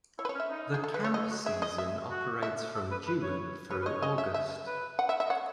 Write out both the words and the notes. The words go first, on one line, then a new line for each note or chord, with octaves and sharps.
The camp season operates from June through August.
E4 C#5
B4
C#5
C#4
E5
D#4
G#4
A4
B4
C#5
E4 D#5
F#4
G#4 E5
D#5
E5
F#4
E5
A4
B4
B4
C#5
B4 C#5
B4
C#5 D#5
D#5
E5
E5
B4
F#5
E5
E5
D#5
C#5 F#5